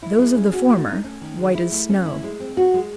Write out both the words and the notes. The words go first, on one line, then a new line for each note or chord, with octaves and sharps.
Those of the former white as Snow.
E4
G#3
C#4
F#4
A3
D#4
C#4
D#3
G#3
E4
A3
C#4
E4
G#3
C4
F#4
G#3